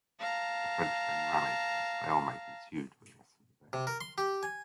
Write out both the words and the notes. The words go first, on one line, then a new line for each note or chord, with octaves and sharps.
The French then rallied and a stalemate ensued for the rest of the day.
F5 A5 A#5
C3
A#4
C6
G4
G#5